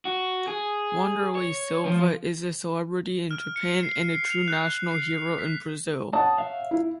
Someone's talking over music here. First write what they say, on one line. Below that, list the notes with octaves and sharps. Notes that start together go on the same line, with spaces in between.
Wanderlei Silva is a celebrity in Japan and a true national hero in Brazil.
F#4
G#4
C#5
F3
F6
C#7
C7
C7
F7
F#6
C7
B6
C#5 F#5 A5 D#6
E5 F5
E4